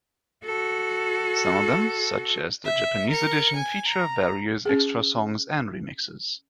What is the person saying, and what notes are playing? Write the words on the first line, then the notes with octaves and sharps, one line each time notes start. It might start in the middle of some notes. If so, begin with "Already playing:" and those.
Some of them, such as the Japanese edition, feature various extra songs and remixes.
F#4 A4
E5
A#4 C#7
G#5
A#5
C#4 G#4